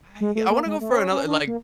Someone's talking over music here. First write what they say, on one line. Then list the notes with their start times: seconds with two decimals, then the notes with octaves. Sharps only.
I I wanna go for another, like
0.21 G#3
0.35 A3
0.50 A#3
0.66 G#3
0.81 A3
0.91 C4
0.96 C#4
1.11 C#4
1.27 D4
1.47 A#3